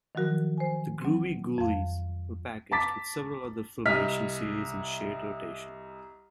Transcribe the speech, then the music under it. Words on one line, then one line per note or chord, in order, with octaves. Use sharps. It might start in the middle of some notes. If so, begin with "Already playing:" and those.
"The Groovie Goolies" were packaged with several other Filmation series in shared rotation.
D#3 F3 F#3 F#4 A#4
C5 G#5
F#3 C4
F2 F5
A5 A#5 D6 A6 B6
C2 D#5 F6 B6